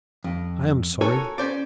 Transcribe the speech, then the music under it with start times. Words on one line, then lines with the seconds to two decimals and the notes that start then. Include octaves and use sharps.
I am sorry.
0.24 F2
1.01 F#4 A4 A#4 C#5 G#5
1.38 C#4 C5 D5